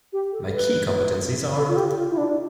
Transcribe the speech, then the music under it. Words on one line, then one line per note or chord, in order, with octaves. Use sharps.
My key competencies are...
G4
A4
B4
A4
F4
G4
F4
E4
D4